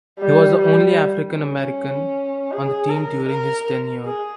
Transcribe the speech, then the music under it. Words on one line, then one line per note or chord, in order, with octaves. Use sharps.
He was the only African American on the team during his tenure.
G3
G3
C#4
G#4
A#4
A#4
G#4